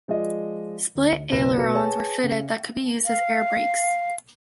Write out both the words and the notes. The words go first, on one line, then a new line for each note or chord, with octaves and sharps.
Split ailerons were fitted that could be used as airbrakes.
F3 G#3 D5 D#5
D2
F#1 B1 C4 B4 A#6 E7
B2 A4 B4 C#7
G#4 B4 C#5 G#5 A5
C#3
F5